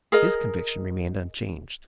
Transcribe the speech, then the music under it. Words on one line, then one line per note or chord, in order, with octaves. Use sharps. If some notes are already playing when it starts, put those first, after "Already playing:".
His conviction remained unchanged.
G#4 A#4 D#5